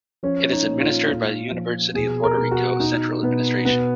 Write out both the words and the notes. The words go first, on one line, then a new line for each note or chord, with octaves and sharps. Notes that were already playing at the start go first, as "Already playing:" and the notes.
It is administered by the University of Puerto Rico, Central Administration.
F3 C#4
D#4
A#2
F4
A#2
F3
B2 G#4
A#4
B2
F#4
B2 D#4
B2 B3
B2 B3